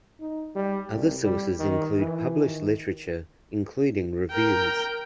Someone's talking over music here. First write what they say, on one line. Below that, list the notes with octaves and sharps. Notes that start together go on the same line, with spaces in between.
Other sources include published literature including reviews.
D#4
G3
C2
G3
D#3
E3
D#3
A#4 G5